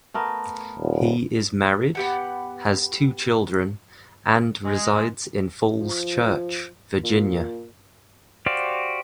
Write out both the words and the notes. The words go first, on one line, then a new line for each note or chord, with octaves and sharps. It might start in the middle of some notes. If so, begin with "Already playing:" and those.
He is married, has two children, and resides in Falls Church, Virginia.
A3 B3 A#4
D#1
B3 G4 F#5
G#3
F3
A#2
F#4 G4 C5 D5 F5